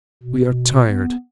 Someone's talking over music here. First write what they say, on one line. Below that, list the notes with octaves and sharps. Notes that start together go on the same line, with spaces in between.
We are tired.
B2
B3